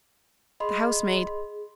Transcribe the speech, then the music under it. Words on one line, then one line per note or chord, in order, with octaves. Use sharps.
The housemaid.
G#4 D#5 B5 C6